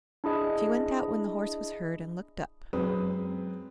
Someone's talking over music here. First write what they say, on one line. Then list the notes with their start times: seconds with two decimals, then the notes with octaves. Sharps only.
She went out when the horse was heard, and looked up.
0.24 D4 E4 G#4 D#5
2.73 F#2 G#3 C4 B4 D#6